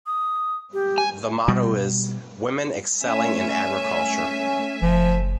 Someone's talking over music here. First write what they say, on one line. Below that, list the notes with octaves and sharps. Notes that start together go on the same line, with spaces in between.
The motto is "Women Excelling in Agriculture".
D#6
G4
G#5
B2 G3
A3 C#4 E5 G#5
F#1 F3